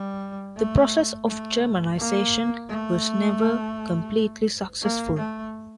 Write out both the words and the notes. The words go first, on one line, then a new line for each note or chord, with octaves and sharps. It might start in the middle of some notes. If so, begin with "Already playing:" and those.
The process of Germanisation was never completely successful.
Already playing: G3
A3
A3
A#3
A3
A#3
A3